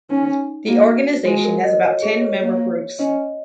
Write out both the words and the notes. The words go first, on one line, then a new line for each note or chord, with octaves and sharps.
The organization has about ten member groups.
C#4 D#4
A#3 F#4
G#3 F#4
A#4
D#5
C#5
G#4
C#5
A#3 C#5
C#4 D#5